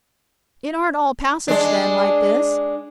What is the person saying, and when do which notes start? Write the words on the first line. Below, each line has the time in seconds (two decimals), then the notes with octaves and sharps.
"It aren't all passage, then, like this?"
1.48 G#3 D4